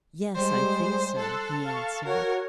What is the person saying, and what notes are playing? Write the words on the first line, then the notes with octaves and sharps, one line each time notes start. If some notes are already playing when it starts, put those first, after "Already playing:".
"Yes, I think so," he answered.
G3 G#3 C5
A4 C6 E6 F#6
F5 C#6
F#4 A#4 C#5